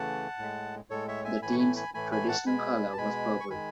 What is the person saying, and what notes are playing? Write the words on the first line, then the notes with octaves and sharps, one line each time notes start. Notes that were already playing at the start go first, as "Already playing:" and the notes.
The team's traditional color was purple.
Already playing: C#3 E3 A3 F#5 A5
A2 G#3
A2 G#3 A4 C#5
C#5 E5
E5 G#5
A2 E3 A3 G#5 B5
C#6
G#5 B5
G#5 B5
A2 E3 A3 G#5 B5
G#5 B5
F#5 A5
B2 G#3 G#5 B5
A5
B2 G#3 G#5 B5
C#6
D#3 G#3 G#5 B5